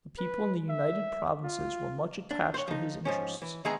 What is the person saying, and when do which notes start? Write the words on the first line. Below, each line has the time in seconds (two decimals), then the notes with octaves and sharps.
The people in the United Provinces were much attached to his interests.
0.18 B4
0.69 E5
1.44 F4
2.31 D4
2.54 C5 C#5
2.68 F3 D#4
3.05 G#2 F3 C#4
3.42 E3
3.65 D#3 G#3 B3 G#4 E5 A#5